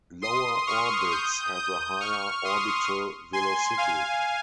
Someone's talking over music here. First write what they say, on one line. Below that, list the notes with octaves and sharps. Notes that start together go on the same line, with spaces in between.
Lower orbits have a higher orbital velocity.
C6 D#6
C#6 F6
D#6 G6
D#6 G6
C#6 F6
C6 D#6
G#5 C6
F5 G#5